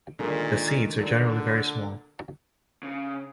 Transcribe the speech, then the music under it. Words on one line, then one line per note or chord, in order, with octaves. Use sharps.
The seeds are generally very small.
A#2 D3 D#3 G#3 G#4 A#5
A#2 D3 D5
C#3